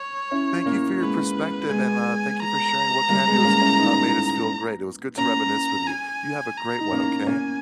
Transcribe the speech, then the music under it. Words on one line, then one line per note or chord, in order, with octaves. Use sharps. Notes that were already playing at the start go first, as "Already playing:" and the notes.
thank you for your perspective, and, uh, thank you for sharing what cameos, uh, made us feel great. It was good to reminisce with you. You have a great one, okay?
Already playing: C#5
C#4 E4
A#3 C#4
G#3 B3 B4
G#3 B3 G#5
A#5
G3 A#3
G#3 B3
A#3 C#4
C#4 E4
B3 D#4
A#3 C#4 A#5
G#5
A#5
D#4
A#3 C#4
A#3 C#4 G#5